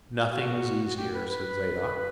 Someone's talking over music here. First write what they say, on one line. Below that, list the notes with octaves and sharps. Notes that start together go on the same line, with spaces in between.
"Nothing is easier," said Zadok.
F#4
F#4
G4
B4
B4